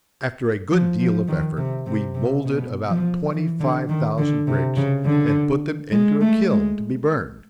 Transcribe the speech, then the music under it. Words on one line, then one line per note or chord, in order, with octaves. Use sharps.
After a good deal of effort we moulded about twenty-five thousand bricks, and put them into a kiln to be burned.
F3
F3
D#3
C3
C3
C3
B2
F3
E3
D3
D#3
D3
C3
C#3
D3
G#3
A3
G#3